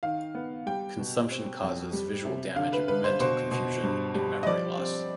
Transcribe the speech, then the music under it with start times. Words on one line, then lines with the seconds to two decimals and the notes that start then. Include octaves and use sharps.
Consumption causes visual damage, mental confusion, and memory loss.
0.03 D#3 F5
0.35 B3
0.66 G3 G5
0.98 B2
1.30 C4
1.62 F2
1.93 G3
2.25 C3
2.56 D3 F5
2.73 B4
2.88 D3 B4
3.04 C5
3.20 B2 C5
3.51 B2
3.83 G2
4.15 G3
4.43 D#5
4.46 F3 D5
4.78 C4